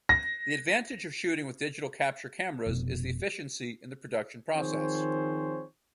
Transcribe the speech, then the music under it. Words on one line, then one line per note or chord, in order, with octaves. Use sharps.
The advantage of shooting with digital-capture cameras is the efficiency in the production process.
A#6
F1 B2
D#3 F3 C4 G#4 C5 C#5